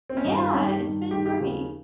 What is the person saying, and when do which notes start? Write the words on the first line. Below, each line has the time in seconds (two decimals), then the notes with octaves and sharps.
Yeah, it's been great!
0.09 C4
0.17 C#4
0.24 G2 D#3 D#4
0.38 F4
0.53 G2 D#3 C#4
0.67 G4
0.81 G2 D#3
1.11 G2 D#3 G4
1.26 G4
1.40 D#2 C#3 F3